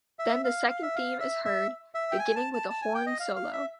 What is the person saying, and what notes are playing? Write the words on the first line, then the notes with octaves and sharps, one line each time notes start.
Then the second theme is heard, beginning with a horn solo.
E5
F5
F5
E5
F5
E5
E5
E5
G5
G#5
A5
A5
A5
G#5
G5
D#5
F5
F5
E5